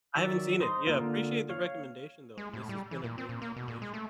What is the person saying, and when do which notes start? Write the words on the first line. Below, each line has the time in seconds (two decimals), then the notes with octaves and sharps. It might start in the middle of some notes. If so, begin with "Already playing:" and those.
I haven't seen it. Yeah, appreciate the recommendation, though, and this has been a great conversation.
0.16 D#3 F#3 D5 E5
0.60 D#4 C5 C6 D#6
0.87 D3 A#3 F4
1.49 C#5 F5
2.38 G#3
2.53 A2
2.69 G3
2.91 E3
3.04 A#2
3.18 C4
3.29 A#2
3.42 A#3
3.56 B2
3.68 A#2
3.82 G#3
3.94 A3